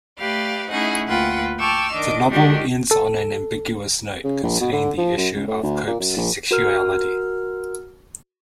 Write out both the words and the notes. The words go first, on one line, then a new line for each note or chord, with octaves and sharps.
The novel ends on an ambiguous note concerning the issue of Cope's sexuality.
A3 G4 B4 D5 F5
A3 C#4 D#4 E4 G#4 F#5
D2 A#3 F4 B4 F#5 G5
G5 A5 C#6 D6 E6 F6
D#3 D4 D#5 D6
D#3 G#3 D4 F#4 G4
A4
C#3
A#1
B2
D3
F3
F#2
C#2
A2
D2
A#2
F#2
A#1
F#4 A#4 F6